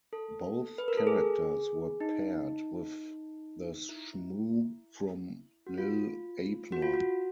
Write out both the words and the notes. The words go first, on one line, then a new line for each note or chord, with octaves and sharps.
Both characters were paired with the Shmoo from "Li'l Abner".
A4
B4
A#4
A4
G#4
D#4
E4
F#4
F4
F#4
F4
F#4